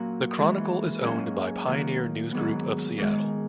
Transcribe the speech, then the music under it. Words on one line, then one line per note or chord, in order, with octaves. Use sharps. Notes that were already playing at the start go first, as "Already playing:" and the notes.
The "Chronicle" is owned by Pioneer News Group of Seattle.
Already playing: A#2 F#3 A#3 C#4 F#4
G#2 E3 G#3 C#4
G#2 F#3 A#3 C#4
D#3 A#3 C#4 F#4
G#2 D#3 F#3 B3
G#2 D#3 G#3